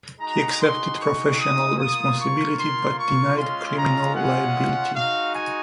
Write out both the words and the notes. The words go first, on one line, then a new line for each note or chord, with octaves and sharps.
He accepted professional responsibility but denied criminal liability.
G#3 D#4 F#4 A#5
C6
C#6
D#6
A#3 F4 D#6
C#6
C6
C#6
G#3 C#4 F4 C6
A#5
F#5
G#3 D#4 F#4 F5
G#5